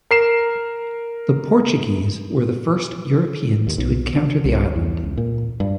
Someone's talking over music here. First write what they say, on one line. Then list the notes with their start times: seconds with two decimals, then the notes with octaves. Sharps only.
The Portuguese were the first Europeans to encounter the island.
0.11 A#4 C7 E7
3.67 D#2
3.78 B1
4.16 D4
4.45 C2
4.76 E2
5.03 C#2
5.17 A#2
5.60 G2